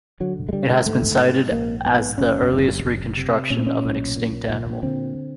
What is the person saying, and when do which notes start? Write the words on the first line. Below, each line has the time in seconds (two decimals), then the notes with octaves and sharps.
It has been cited as the earliest reconstruction of an extinct animal.
0.20 D3 F#3
0.49 G#3
0.53 D3 G3
0.70 G#3
0.86 G#2 A3
1.19 G#2
1.52 A#1 A#3
1.85 G#2 B3
2.18 F#1 C#4
2.52 F#1
2.85 F#1
3.17 C3
3.50 A#2 C#4
3.59 C4
3.67 C#4
3.84 B1
4.16 A#2
4.50 A#2
4.83 D3 C4